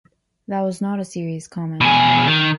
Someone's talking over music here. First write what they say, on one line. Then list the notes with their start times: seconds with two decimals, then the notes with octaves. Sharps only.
That was not a serious comment.
1.81 B2 G#4
2.27 D#3